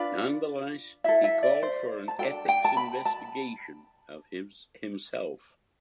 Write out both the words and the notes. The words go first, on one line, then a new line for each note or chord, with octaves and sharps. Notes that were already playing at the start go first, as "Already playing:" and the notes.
Nonetheless, he called for an ethics investigation of himself.
Already playing: D4 F4 B4
E4 A4 E5
E5
D5
C5
A5
D4 F4 A4 G5
G5
A5
B5
A5